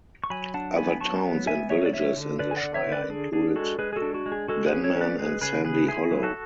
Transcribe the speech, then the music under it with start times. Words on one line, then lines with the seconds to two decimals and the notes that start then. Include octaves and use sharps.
Other towns and villages in the shire included Denman and Sandy Hollow.
0.24 C#6
0.30 F#3 G#5 B5
0.54 D4 F#5 A5
0.77 B3 G#5 B5
1.00 F#3 A5 C#6
1.24 B3
1.47 B3 E5 G#5
1.70 F#3 C#5 E5
1.86 D5
1.93 D3 C#5 E5
2.17 D3
2.39 D3 B4 D5
2.51 G#5
2.57 D5 F#5
2.63 D3
2.74 C#5 E5
2.87 D3
2.92 B4 D5
3.10 D4 G#4
3.33 D4 G#4
3.56 G#3 F#4 A4
3.79 G#3 G#4 B4
3.93 G#4
3.96 F#4 A4
4.02 D4
4.14 F#4
4.26 G#3
4.32 G#4
4.48 G#3 F#4 A4
4.67 G#4 B4
4.72 C#4
4.83 A4 C#5
4.96 C#4
5.01 B4 D5
5.19 G#3 G#4 B4
5.41 C#3 G#4 B4
5.64 C#3 G#4 B4
5.88 E4 G#4
6.11 F#3
6.23 F#4 A4